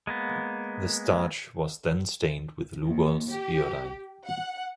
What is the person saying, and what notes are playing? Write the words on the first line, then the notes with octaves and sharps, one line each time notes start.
The starch was then stained with Lugol's iodine.
G#3 A#3 B3
D#2
G4
F#5